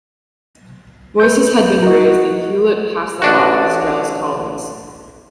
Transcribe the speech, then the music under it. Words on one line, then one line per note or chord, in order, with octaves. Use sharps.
Voices had been raised and Hewlett passed that off as jealous colleagues.
B4 G6
F#4 A#4 D#5
A1 D4 F#4